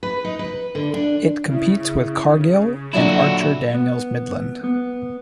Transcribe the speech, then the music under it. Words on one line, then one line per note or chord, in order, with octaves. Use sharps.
It competes with Cargill and Archer Daniels Midland.
B4
D#4
B4
D3
D4
C#3 E4
A#2 D3 F#3 D4 E4 F#4
B3
B3